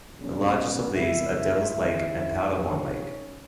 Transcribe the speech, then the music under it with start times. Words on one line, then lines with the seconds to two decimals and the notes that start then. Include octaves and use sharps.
The largest of these are Devil's Lake and Powderhorn Lake.
0.18 B1 A#2 G3 C#4
0.57 B3 B4
0.94 C#2 B2 G#3 E4 E5
1.70 D#2 C#3 G#3 C#4 E4 E5
2.47 A#1 G#2 D#3 A#3 C#4 D#4 C#5